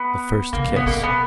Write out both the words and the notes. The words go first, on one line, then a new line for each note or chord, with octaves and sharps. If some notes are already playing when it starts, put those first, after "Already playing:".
The First Kiss.
Already playing: B3
C#3 A#3
B2
B2 B3
B2 A#3
B3